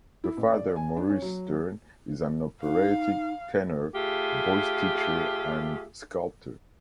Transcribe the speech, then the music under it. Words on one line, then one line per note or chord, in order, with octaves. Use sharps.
Her father Maurice Stern is an operatic tenor, voice teacher and sculptor.
E4
A1
D5
G#5
D4
C#4
F#3
D#4 F5
A3 F4 G4 G#4